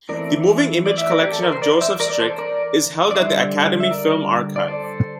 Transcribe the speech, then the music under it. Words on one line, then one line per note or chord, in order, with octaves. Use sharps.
The moving image collection of Joseph Strick is held at the Academy Film Archive.
E3 A3 C4 A#4 D5
D5
E5
A#4 D5
G4
A4
A#4
C5
A#4 D5
C5 E5
A#4 D5
D5
A4 C5
A#4 D5
D5
D3 G3 D4 C5 E5
E5
A#4 D5
D5
A4 C5